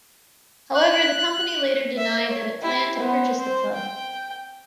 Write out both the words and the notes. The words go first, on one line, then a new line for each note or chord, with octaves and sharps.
However, the company later denied that it planned to purchase the club.
F#6
E5
C#5
E4 G4
B3 C5
C4 C5
G5